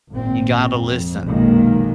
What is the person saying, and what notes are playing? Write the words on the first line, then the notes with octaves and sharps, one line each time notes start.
You gotta listen.
G#1 A#2 C4
F2
F1 B1 D#3 G#3 A#3